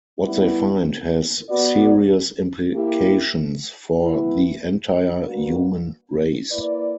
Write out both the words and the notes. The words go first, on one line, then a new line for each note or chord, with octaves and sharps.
What they find has serious implications for the entire human race.
G3 B3 E4
B3 F#4 B4 D5
A#3 E4 G4
E3 B3 E4
G3 A#3 D4 F#4 B4
A#3 E4 B4 D5